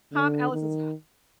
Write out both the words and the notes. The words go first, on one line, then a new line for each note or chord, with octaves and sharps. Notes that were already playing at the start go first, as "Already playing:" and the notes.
Tom Ellis is h
D3
D#3